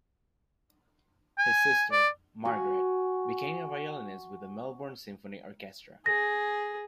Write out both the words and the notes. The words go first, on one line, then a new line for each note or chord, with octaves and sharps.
His sister, Margaret, became a violinist with the Melbourne Symphony Orchestra.
G#5
D5
F#4 G#5
G#4 A#6